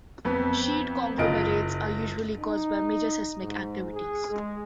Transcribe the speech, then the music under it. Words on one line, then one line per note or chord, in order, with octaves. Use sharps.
Sheet conglomerates are usually caused by major seismic activity.
F2 B3
F#1 F4 D#5 D7
D#4
G#2
G#4
G#3